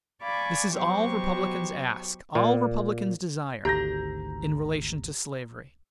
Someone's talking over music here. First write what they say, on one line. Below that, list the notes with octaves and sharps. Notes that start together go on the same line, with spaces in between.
This is all Republicans ask--all Republicans desire--in relation to slavery.
D5 F5 G#5 B5 C#6 D6
B2 F#3 G4 C5 C#6
A#2
G#1 D2 G4 A#5 G6 A#6